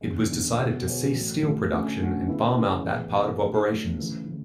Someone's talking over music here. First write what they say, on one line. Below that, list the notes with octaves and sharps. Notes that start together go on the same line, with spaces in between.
It was decided to cease steel production and farm out that part of operations.
E2 D3 G#3
E2 D3 G#3
B2 G#3 B3 F#4 C#5
B2 G#3 B3 F#4 C#5
A1 A2 F#3
A1 A2 F#3
D3 A3 C#4 F#4
D3 A3 C#4 F#4
C#3 G#3 B3 E4
C#3 G#3 B3 E4
A1 G#2 G#3 B3
A1 G#2 G#3 B3
A2 F#3 A3 D4
A2 F#3 A3 D4
C#3 E3 A3 E4
C#3 E3 A3